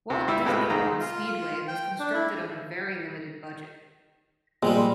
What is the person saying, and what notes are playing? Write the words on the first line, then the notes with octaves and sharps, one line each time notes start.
Walt Disney World Speedway was constructed on a very limited budget.
C3
G3 E4 E6
A2 C3 G#3 F4 B4
C2 D#3 A#5
F4
F4
G5
D4
E4
A#2 F3 G3 G#3 C4